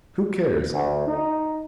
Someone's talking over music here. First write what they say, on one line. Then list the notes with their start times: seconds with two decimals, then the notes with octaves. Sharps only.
Who cares?
0.71 D2
1.07 D#4